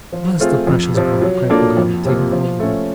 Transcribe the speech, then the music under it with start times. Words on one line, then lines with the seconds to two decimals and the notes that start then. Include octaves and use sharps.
'Bless the precious boy!' cried Peggotty, taking hold of me.
0.13 F3
0.40 A3 C4 F4 G#4
0.67 F2
0.94 C3 F3
1.22 F#3
1.50 A#3 D4 F4 A4
1.77 F2
2.05 C3 F3 A#3
2.32 F3
2.60 A3 C#4